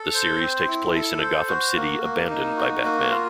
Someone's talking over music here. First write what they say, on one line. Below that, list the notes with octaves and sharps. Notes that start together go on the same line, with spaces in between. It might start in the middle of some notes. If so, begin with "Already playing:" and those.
The series takes place in a Gotham City abandoned by Batman.
Already playing: A4
C5
C4
E4
A4
C5
F#4
A#3
A#3
D#4
F#4
A#3
F4